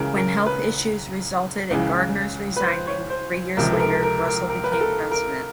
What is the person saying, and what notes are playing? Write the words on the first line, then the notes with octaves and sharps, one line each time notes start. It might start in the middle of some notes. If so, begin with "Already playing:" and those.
When health issues resulted in Gardiner's resigning three years later, Russell became president.
Already playing: C#2 C#3 E3 A#4
A#4
B4
C#2 C#3 E3
B4
C5
C#5
C5
C#2 C3 F3 A#4
A4
A#4
A#4
A#4
A#4
B4
A#4
A4
A#4